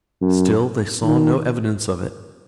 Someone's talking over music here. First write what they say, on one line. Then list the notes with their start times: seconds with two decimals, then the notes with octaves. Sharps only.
Still they saw no evidence of it.
0.21 F#2
1.03 D#3